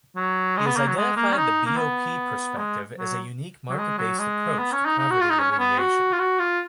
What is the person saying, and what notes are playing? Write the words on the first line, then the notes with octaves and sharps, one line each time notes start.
He has identified the BoP Perspective as a unique market-based approach to poverty alleviation.
F#3
G#3
B3
A#3
F#3
G#3
A#3
C#4
D#4
A#3
B3
G#3
F#3
F#3
G#3
F#3
G#3
B3
C#4
D#4
D#4
F#4
F4
D#4
C#4
C#4
B3
F#4
F4
F#4
F4